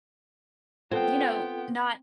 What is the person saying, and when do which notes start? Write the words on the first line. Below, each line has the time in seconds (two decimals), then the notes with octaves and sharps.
you know, not
0.92 B3 C4 F4 A4 G5